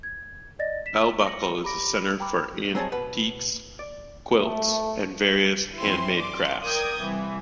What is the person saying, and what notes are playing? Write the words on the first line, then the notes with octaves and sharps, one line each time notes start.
Bell Buckle is a center for antiques, quilts, and various handmade crafts.
G#6
D5 D#5 A6 A#6
B6 E7
A#6 C#7 F#7
G4 A#5 B5 D6 A#6 D7
G5 A#5 B5 D6
F#3 C4 G#4 C#5 D#5 A5
B2 B4 F#5
D5
A3
F#2 E3 C4 E4 C6
D5 C6 D6
A#4 D5 G5 D#6 G6 G#6
C2 E3